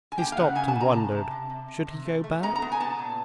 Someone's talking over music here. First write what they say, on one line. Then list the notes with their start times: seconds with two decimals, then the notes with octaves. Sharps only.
He stopped and wondered--should he go back?
0.12 G#5
0.18 A#3 G5
0.32 F5
0.37 C#3 F#5
0.55 C#3 G#5
0.68 A5
0.75 C#3
0.81 A#5
0.93 C3 A5
1.12 C3
1.31 C3
1.50 C3
1.68 C3
1.87 C3
2.05 A3
2.24 A3
2.43 B3 A#5
2.56 A#5
2.62 B3
2.72 G#5
2.80 B3 A5
2.99 A#2